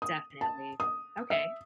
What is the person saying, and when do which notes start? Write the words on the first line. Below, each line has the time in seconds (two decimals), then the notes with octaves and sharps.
definitely, okay.
0.02 D#6
0.41 A5
0.80 D#6
1.30 E5